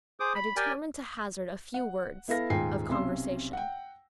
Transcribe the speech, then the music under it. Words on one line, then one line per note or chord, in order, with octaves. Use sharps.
I determined to hazard a few words of conversation.
G#4 C5 D6 D#6
B5
G4 A#4 D5 G5 G#5
F#5
B3 E4 A4 F5 A#6
D#1 G#2 F4 G5 G#5 C7
B1 C3 C#4 C6 E6
F#5 G5